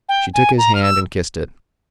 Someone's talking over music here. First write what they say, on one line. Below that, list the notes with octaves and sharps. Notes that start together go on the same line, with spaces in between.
She took his hand and kissed it.
G5
G#5
A#5
F6
E6